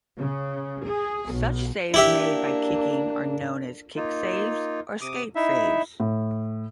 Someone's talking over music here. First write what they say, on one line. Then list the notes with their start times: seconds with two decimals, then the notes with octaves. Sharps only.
Such saves made by kicking are known as kick saves or skate saves.
0.18 C#3
0.86 G#4
1.34 B1
1.94 A#3 D4 E4 G4 E5
3.96 A#3 D#4 F4
5.01 C3 D6 D#6
5.35 D#4 E4 E5
6.00 A2